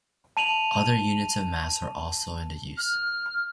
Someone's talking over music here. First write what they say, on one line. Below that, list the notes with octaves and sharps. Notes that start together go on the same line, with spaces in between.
Other units of mass are also in use.
A5 D#7 F7 F#7
F6